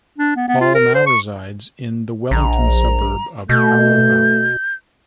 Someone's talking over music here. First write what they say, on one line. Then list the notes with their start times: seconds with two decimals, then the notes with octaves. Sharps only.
Paul now resides in the Wellington suburb of Aro Valley.
0.18 D4
0.36 B3
0.48 B3
0.61 F4
0.74 A#4
0.94 C5
1.06 C#6
2.31 A#1 A#5
3.49 B2 A3 G6